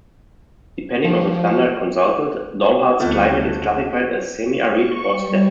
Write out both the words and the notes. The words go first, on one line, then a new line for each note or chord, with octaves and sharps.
Depending on the standard consulted, Dalhart's climate is classified as "semi-arid" or "steppe".
F3
D2 G3 A3 B3 C4 D#4 F4 F#6
C#6
G3